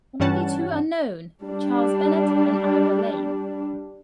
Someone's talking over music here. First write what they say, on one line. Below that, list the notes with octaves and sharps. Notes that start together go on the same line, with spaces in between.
Only two are known: Charles Bennett and Ira Lane.
G2 E3 G3 C#4 F#5 A5
G3 D4